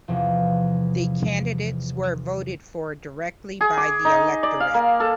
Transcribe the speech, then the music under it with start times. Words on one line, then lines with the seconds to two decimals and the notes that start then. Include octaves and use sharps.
The candidates were voted for directly by the electorate.
0.08 E2 C3 F3
3.61 G#4
3.77 D6
4.05 D#4
4.43 D5
4.60 F5
4.74 A#3
5.00 A4